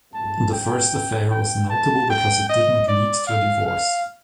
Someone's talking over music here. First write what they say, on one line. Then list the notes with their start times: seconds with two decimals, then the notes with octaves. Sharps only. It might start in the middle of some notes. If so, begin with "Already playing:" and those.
The first affair was notable because it did not lead to a divorce.
0.14 A5
0.52 G5
1.31 G5
1.70 A5
2.10 G5
2.50 D#5
2.88 D5
3.27 F5
3.67 F5